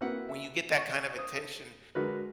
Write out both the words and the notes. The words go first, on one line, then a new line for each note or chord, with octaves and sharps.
when you get that kind of attention,
A#3 C4 E4 F#4 B4 F#5
E5
C#6
C5 D#6
A4
D3 F#3 G#3 F#4 A#4 B4